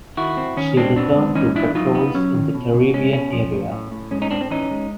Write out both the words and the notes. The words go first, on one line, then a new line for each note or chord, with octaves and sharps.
She returned to patrols in the Caribbean area.
D#3 E4 F#4
C4
D#3 C#4
G#3 C4 D4
B3 C4 D4
G#3
E3 C#4 D#4
E3 D4 E4
F#3 D#4 F4
B3
F#3 C#4
D#3
B2
B2
G#3 C#4
B2 C#4
F3
A2
A2
A2
G#3 C#4
C#4 D#4
A2 C4 D4
C4
E3 C#4 D#4
G#3